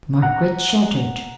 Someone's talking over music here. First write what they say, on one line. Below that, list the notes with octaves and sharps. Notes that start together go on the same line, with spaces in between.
Margaret shuddered.
F#5 A#5